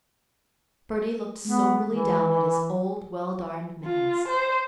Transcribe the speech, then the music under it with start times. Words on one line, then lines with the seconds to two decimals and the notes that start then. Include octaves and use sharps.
Bertie looked soberly down at his old, well-darned mittens.
1.46 G#3 B3
1.88 E3
3.85 F4
4.29 C5